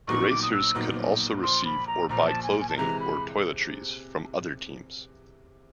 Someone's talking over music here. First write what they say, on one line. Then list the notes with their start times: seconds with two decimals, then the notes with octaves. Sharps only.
The racers could also receive or buy clothing or toiletries from other teams.
0.07 A#1 A#2 F#3 B3 D#4 C#6
0.30 D6
0.43 D#6
0.53 E6
0.75 A#1 A#2 F#3 B3 D#4
1.42 A#1 A#2 F3 C6
1.65 B5
1.87 A#5
2.09 A#1 A#2 F3 A#5
2.27 A5
2.43 G#5
2.60 G#5
2.69 A5
2.77 C3 E3 G#3 A#5
3.00 B5